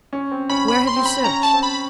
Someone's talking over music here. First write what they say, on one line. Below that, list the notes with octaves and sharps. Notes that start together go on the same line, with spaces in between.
"Where have you searched?"
C#4
C4
C#4 B5
C#4 B5
C6
C4
B5
C#4 A#5
A5
C4
B5